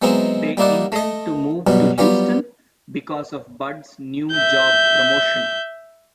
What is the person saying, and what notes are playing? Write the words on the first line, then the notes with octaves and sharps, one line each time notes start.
They intend to move to Houston because of Bud's new job promotion.
F#3 G#3 B3 C4 D#4 E4
G3 A#3 D#4 E4 D5 F#5
A3 D#5
F#2 B2 F#3 G3
F#3 G3 B3 F4 G4
E5 G6